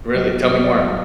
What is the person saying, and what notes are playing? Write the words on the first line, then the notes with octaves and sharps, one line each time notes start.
Really? Tell me more.
B2 F#3 D#5
B2 F#3 D#5
D5
D#5
B2 F#3 F5